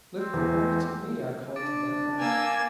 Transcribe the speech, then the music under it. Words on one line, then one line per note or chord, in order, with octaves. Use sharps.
"Lift the pony to me," I called to Ventnor.
C4
E2
D4 D6 A6 D7
A#3 G#5 E6